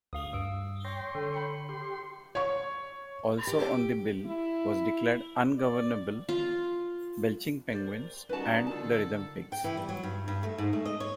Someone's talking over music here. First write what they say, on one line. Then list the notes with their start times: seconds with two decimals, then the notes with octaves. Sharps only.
Also on the bill was Declared Ungovernable, Belching Penguins, and The Rhythm Pigs.
0.13 D2 F5 D#6
0.33 G2 D#6 E6 D7
0.85 C#5 G5 C6 A#6
1.15 D3 A4
1.34 B5 C#7
1.69 G4 C6
2.35 C#5 C#6
3.47 G4
4.26 E4
5.56 D5
6.29 F4
7.71 A#4 C5 D5
8.29 G3 C#4 D#4 F#4 A#4 B4 A5
8.67 D3 F4 A4 A5
9.52 G5
9.64 E3
9.77 G3
9.89 F#3
10.03 G2
10.28 G2
10.43 A3
10.58 G#2
10.73 A3
10.86 D#5
11.00 C#5